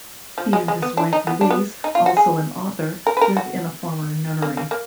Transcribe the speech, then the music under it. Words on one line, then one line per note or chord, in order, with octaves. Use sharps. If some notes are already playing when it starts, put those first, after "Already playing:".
He and his wife Louise, also an author, live in a former nunnery.
F3
G#3
G#3
B3
D4
D#4
B3
D4
B3
D#4
F4
F#4
G#4
A#4
B4
A#4
F#4
A#3
A#3
A#3